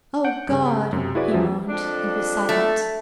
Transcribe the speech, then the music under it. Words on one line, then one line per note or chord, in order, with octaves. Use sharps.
"O Gawd!" he moaned, and was silent.
F#5 G6 D7
G2 C#3
F#2 C3
E4 F#4 G#4 B4 D5
E2 F3 F#3 C#4 E5
F2 D4
A3